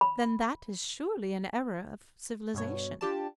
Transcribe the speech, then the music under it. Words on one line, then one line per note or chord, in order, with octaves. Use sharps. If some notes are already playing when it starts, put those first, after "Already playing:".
Then that is surely an error of civilization.
B5
G2 B2 C#5
D4 F4 G4 D5 A5